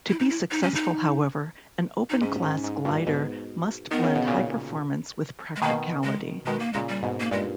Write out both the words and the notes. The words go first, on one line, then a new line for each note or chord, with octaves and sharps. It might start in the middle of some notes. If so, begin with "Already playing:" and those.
To be successful, however, an Open Class glider must blend high performance with practicality.
E4
D#4
E4
D#4
C#4
D#4
D#4
G#2 C#4
G#2
G#2
G2 A#2
G#2 B2
D#3 B3
C#3
B2
A#2 C#3
G#3
B2 D#3 A#3
G#3
B2 D#3 G#3
A#3
A#2 C#3 G#3
G3
G#2 B2
A#3
G2 A#2 G#3